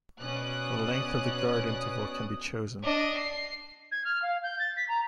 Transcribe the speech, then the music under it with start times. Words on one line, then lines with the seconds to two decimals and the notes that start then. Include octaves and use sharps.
The length of the Guard Interval can be chosen.
0.19 B2 C#4 D5 D#6 F#6
2.83 D4 D#5
3.17 C7
3.92 G#6
4.05 F6
4.22 F5
4.43 G6
4.59 A6
4.77 B6
4.89 A#5